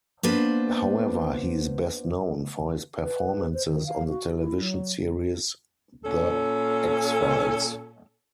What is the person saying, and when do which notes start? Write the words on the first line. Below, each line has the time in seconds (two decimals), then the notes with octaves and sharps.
However, he is best known for his performances on the television series "The X-Files".
0.23 A#3 B3 D4 F4 B4 C5
3.00 B4
3.54 C5
3.68 D#3
3.87 F5
4.09 F#4
4.39 E4
4.59 F#3
6.05 A#2 C#4 A4